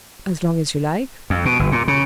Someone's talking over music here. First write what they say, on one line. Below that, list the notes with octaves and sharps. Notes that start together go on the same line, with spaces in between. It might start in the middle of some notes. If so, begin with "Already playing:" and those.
"As long as you like."
F2
B2
G1
A#2
C#3